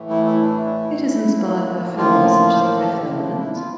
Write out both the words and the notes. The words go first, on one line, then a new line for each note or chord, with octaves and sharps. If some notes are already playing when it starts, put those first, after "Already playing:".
It is inspired by films such as The Fifth Element.
Already playing: A2 E3 A3
E4
E4
D4
E4
A2 F3 A#3
F4
F4
C5
A#4
A4
G4
E4
D4
E4
F4